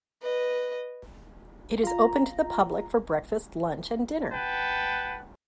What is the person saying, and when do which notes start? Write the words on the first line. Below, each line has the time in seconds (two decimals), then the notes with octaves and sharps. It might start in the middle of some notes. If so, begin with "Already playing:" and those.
It is open to the public for breakfast, lunch and dinner.
0.22 B4 D#5
1.83 F4 A#5
4.32 B4 F#5 G5 A5